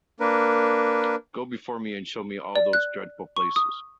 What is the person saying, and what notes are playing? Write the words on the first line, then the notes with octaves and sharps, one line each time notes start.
Go before me and show me all those dreadful places.
A#3 D4 A#4 B4
D5
F#6
C#6
D#6